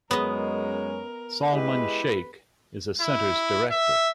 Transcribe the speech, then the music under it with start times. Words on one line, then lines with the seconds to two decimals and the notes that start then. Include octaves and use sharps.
Salman Shaikh is the Center's Director.
0.11 F#2 G#3 B3 C#4 A#4 D#5
1.53 G#3 E4 G4 B4
3.01 E4
3.71 E5